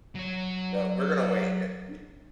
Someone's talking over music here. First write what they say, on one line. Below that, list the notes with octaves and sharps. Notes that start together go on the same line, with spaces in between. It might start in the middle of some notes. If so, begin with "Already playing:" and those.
no, we're gonna wait, eh, we
F#3 C#5